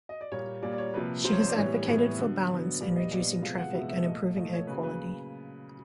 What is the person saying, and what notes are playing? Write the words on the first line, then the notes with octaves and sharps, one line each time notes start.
She has advocated for balance in reducing traffic and improving air quality.
D#5
D5
A#2 G3 A#3 C#5
A#2 G3 A#3 D5
D5
C#5
C3 F3 A#3 B4
C3 F3 A#3 C5
C#5
C5
D5
A2 E3 G3 B3 C#5
A2 E3 G3 B3
D3 F#3 B3
D3 F#3 B3
A#2 G3 B3 D5
D#5
A#2 G3 B3 D5
C3 F3 G#3 B3 F5
F5
F#5
C3 F3 G#3 B3 E5
E5
A#2 F3 A3 D#5
A#2 F3 A3 D#5
C#5
C#3 F#3 A#3 B4
B4